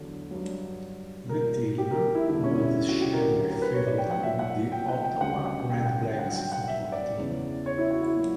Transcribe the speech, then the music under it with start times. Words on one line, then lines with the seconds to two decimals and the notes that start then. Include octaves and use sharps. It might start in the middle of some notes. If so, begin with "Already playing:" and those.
The team would share a field with the Ottawa Redblacks football team.
Already playing: E2 D3 F#3
0.31 G2 F#3
1.29 A#2 G3 A#4
1.78 G4
1.91 A#4
2.15 E4
2.27 E2 D3 G3 E4
2.43 C#4
2.60 E4
2.89 F#4
3.01 G4
3.13 A#4
3.25 D2 D3 F#3 A#4
3.37 G4
3.49 A#4
3.62 B4
3.74 C#5
3.86 D5
3.98 G5
4.11 F#5
4.23 A#2 F#3 E5
4.39 F#5
4.72 G5
4.88 F#5
5.04 G5
5.21 D2 C#3 G3 F#5
5.46 F#5
5.70 G5
5.86 F#5
6.03 G5
6.19 G2 D3 F#3 F#5
6.36 G5
6.52 F#5
6.68 E5
6.92 D5
7.17 E2 C#3 E3
7.66 C#5
7.78 E4
7.91 F#4
8.03 E4
8.15 A#2 F#3